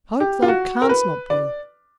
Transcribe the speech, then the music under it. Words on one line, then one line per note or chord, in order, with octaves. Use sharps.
Pope thou canst not be.
G4
F4
F#4
A#4
B4
D5